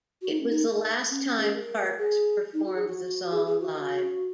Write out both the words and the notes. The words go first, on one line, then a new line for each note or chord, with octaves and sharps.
It was the last time Parks performed the song live.
F#4
D#4
C#4
D#4
C#4
C#4
G#4
A#4
G#4
D#4
F#4
G#4
F#4
G#4
G#4
F#4
F#4